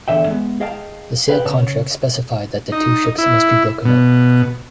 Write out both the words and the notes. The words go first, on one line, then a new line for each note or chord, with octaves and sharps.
The sale contract specified that the two ships must be broken up.
E2 D3 E5 G5
G#3 B3
G#4 D#5 F5 G5 A5
G#4 B4 F5 G5
C#3 C#5 A5
D#4
E4
B2